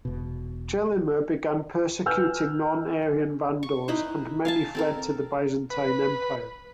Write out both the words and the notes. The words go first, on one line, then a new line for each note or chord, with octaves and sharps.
Gelimer began persecuting non Arian Vandals, and many fled to the Byzantine Empire.
E1 B2
B4 G#5 E6 F6 G6
C#6
D#4 E4 B4 C5
F5 G#5 A5
C4 A4 A#4
B4